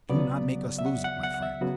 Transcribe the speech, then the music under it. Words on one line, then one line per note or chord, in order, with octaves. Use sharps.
"Do not make us lose it, my friend."
C#2 C#3 F#3 B3 D5
E5
F#5
F#5
F#5
F#5
E5
C#3 F#3 B3 F#4